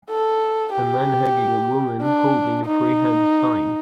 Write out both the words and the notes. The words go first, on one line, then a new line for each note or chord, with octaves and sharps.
A man hugging a woman holding a free hugs sign.
A4
G4
D4
D#4